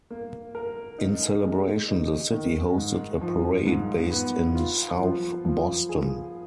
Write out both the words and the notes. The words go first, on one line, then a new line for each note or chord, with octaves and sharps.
In celebration, the city hosted a parade based in South Boston.
A#3
A#4
D#4
G#3
D#4
D#3
G#2
F3
G#2
B3
F4
F3
F3
G#4